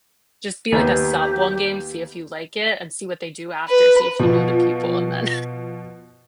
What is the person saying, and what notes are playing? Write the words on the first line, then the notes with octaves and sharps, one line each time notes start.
just be, like, a sub one game, see if you like it, and see what they do after, see if you know the people, and then
D#2 B3 G4
B4
B2 F3